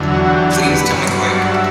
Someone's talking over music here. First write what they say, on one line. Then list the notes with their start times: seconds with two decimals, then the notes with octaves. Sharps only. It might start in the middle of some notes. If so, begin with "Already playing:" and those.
Please tell me quick!
Already playing: E2 D3 F#3
0.12 F#4
0.24 F#4
0.33 G4
0.52 G4
0.71 B4
0.91 G2 C#5
0.97 F#3
1.12 B4
1.31 D5
1.46 F#5
1.51 E5